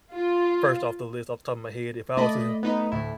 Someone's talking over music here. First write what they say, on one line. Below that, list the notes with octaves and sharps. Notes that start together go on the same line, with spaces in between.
first off the list, off the top of my head, if I was to ha
F4
A3 D5 D#5 B5
B3 D#4 B4
D2 A2 E4